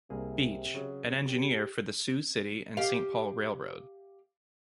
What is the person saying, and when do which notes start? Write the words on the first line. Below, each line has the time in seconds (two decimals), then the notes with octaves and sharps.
Beach, an engineer for the Sioux City and Saint Paul Railroad.
0.10 C2 C3 A#3 G#4
0.74 C#3 F#3
1.26 G4
2.77 G4 F5